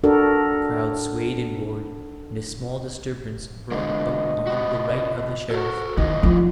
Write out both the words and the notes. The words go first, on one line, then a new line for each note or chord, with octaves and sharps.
The crowd swayed and roared, and a small disturbance broke out on the right of the Sheriff.
D4 F#4 A4 A#4
G#2 D3 G#3 D#5
C3 F#4
F#4 A4 A#4
C3 D#3 E3 D#4 D#5
F3